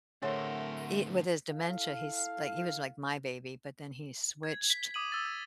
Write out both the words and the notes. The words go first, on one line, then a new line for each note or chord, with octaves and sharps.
i with his dementia he's Like, he was like my baby, but then he switched
A2 D3 A3 F#4 G#4 A#4 C5 C#5
E4 A4 F5
G#6
B6
D6 D#6 D#7 F#7
E6 A6
G#6